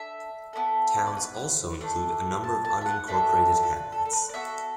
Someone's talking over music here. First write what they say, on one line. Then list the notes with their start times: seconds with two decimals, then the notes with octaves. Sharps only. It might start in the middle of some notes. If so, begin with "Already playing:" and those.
Towns also include a number of unincorporated hamlets.
Already playing: D4 A4 E5
0.53 B3 E4 A4
1.06 D5
1.17 B4
1.81 A3 D4 A4
2.44 A5
2.65 A5
2.81 E5
2.86 F#5
3.07 A3 D4 F#4 A4 E5
3.63 A4
3.71 B4
3.92 A4
4.05 A4
4.13 B4
4.29 D5
4.34 B3 F#4 A4 E5